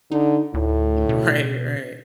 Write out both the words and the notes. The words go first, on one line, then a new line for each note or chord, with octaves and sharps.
Mm, right, right.
D3 D#4
D2 A2
B2